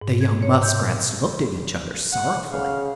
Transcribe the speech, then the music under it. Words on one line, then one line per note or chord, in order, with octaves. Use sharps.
The young Muskrats looked at each other sorrowfully.
G#2
G#6
C#5
G6
A#2
F#5
C#3 F5